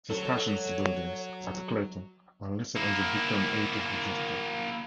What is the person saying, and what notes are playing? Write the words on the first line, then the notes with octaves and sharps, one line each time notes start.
The stations buildings at Clayton are listed on the Victorian Heritage Register.
F#3 A4 C#5
A#3 E4